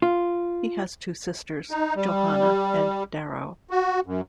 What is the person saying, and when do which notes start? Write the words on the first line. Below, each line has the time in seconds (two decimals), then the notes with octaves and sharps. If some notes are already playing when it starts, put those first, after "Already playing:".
He has two sisters, Johanna and Darrow.
0.02 F4
1.71 D#4
1.96 G3
3.70 F#4
4.06 F#2